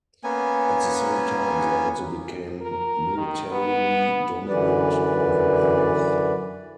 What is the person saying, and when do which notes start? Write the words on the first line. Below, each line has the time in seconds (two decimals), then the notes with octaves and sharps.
At the same time, they also became militarily dominant over Earth.
0.24 A#3 B3 C#4 G#5
2.61 A#4
3.18 D#3
3.52 B3
4.49 F#2 D3 E3 B4 D5